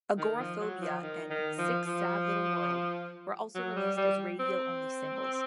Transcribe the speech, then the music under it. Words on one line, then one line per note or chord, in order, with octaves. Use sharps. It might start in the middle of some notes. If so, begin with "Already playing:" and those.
"Agoraphobia" and "Sick Sad Little World" were also released as radio-only singles.
D#3
F3
F#3
F3
D#3
D#3
F3
F3
F#3
G3
G3
C4